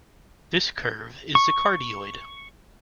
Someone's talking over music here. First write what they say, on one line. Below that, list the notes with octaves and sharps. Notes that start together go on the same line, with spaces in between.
This curve is the cardioid.
C#6